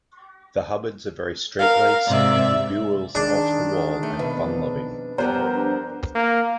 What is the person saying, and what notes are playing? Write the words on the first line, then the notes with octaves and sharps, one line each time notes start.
The Hubbards are very straitlaced, the Buells off-the-wall and fun-loving.
A#4 F5
G#2 C3 D5 E5
D#3 G#3 D4
A3
F2 B2 B4
G2 F3 B3 G4 A#4 C5
D4
A#3